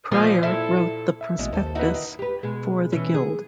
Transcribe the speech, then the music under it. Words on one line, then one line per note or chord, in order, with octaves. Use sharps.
Prior wrote the prospectus for the Guild.
A#2 F3 D#5
E4 A4
E5
A1 B2 G#3
D#2 A4 C5
D#4 E4 F#4 B4 E5
D#3
G4 B4
B2 G#3
B2 E3 C#4
G#4